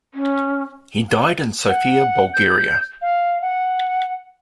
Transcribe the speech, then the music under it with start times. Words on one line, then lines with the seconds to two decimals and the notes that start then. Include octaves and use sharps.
He died in Sofia, Bulgaria.
0.14 C#4
1.69 F#5
2.34 G6
3.02 F5
3.42 F#5